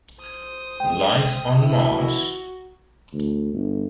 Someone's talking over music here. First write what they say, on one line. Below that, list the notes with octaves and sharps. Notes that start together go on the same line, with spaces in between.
Life on Mars?
C5 D#6
G#3 G5
B2 E3 E4
F#4
D2
G1